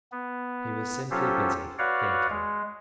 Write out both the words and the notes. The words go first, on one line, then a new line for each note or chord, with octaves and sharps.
He was simply busy--thinking.
B3
F#3 C#4 F4 G4 A4 C5
F#4 B4 C#5 D5 F5 F#5
G#3